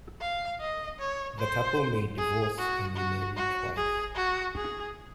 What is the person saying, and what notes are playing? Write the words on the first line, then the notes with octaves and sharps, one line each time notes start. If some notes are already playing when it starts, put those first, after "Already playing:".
The couple may divorce and remarry twice.
F5
D#5
C#5
C5
G#4
F#4
F#4
F#4
G#4
F#4
G#4